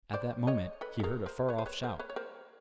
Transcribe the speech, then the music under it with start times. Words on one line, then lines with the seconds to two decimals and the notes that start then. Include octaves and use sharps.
At that moment, he heard a far-off shout.
0.14 C5 D5
0.47 C#5 D#5
0.81 A4 B4
1.00 A4
1.03 G#4 A#4
1.26 A#4 C5
1.49 B4 C#5
1.59 C5
1.66 B4 C#5
1.83 A#4 C5
1.99 B4 C#5
2.10 C#5
2.16 A#4 C5